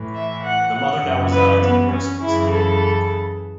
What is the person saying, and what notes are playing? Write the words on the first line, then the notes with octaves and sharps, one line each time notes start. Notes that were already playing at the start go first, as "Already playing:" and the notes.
The mother now resides in a nursing facility.
Already playing: A2 E3
E5
F#5
F#5
F#2 C#3 E3
B4
B3
C#4
F#2 C#3 E3 E4
A4